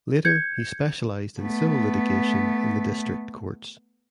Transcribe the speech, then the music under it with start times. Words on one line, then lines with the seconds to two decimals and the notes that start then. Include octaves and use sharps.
Later he specialised in civil litigation in the District Courts.
0.25 G6 G#6 C#7
1.41 A3 B3